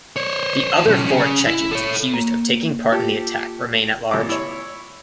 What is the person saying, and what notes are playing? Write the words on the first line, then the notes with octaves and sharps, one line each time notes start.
The other four Chechens accused of taking part in the attack remain at large.
C5 C#5
D#2 A5
B1 C#4
C#4 G#4
E4
A4 C#5
A#3
F4 G4 A4
G#1 A#2 D6
E4 C#5